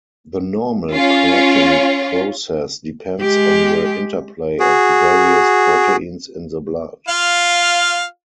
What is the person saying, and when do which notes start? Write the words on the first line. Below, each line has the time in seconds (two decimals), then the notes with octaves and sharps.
The normal clotting process depends on the interplay of various proteins in the blood.
0.94 C#4 F4
3.21 G#3 G4
4.60 F#4 G#4
7.09 F4 F5